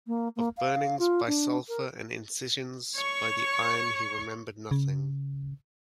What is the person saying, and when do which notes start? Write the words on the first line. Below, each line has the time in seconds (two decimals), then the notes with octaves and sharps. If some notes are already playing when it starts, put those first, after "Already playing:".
Of burnings by sulphur and incisions by the iron he remembered nothing.
0.07 A#3
0.36 A#3
0.57 F5
0.99 F4
1.27 D4
1.69 A#4
2.96 C#5 C#6
4.71 C#3